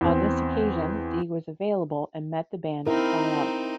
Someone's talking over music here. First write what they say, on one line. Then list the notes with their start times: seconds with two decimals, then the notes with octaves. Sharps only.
On this occasion, Dee was available and met the band to try out.
0.01 E2 C4
2.87 C4 D#4 E4 A#4